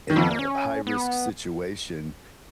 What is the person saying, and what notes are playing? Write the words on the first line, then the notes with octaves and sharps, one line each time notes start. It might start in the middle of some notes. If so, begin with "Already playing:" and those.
in a high risk situation
D#3
F2 F3 A#3
B3
A#3
C#4
B3